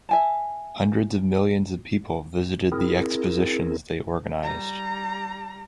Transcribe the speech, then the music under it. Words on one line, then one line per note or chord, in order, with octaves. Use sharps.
Hundreds of millions of people visited the expositions they organized.
E5 G#5 A5
C4 E4 G#4 A#4
G3 A#5